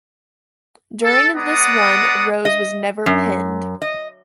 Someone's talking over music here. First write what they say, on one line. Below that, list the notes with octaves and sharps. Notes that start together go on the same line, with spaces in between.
During this run, Rose was never pinned.
A4
G#3 B3 D5 F#5 A#5 D#6
D#5
F#2
D#5